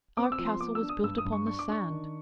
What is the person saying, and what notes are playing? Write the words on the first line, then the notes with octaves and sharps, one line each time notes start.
Our castle was built upon the sand.
C4 D6
E6
F3
C6
B3 D6
E6
D4
D#6
G2 E6
D#6
G2
C#6
D4 C#6
D6
D4 C#6
D#3